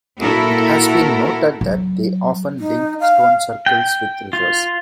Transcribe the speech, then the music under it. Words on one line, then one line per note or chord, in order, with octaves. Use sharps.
It has been noted that they often link stone circles with rivers.
A#2 E4 F#4 A4 A#4
F#3
D#4
F5
G5
F4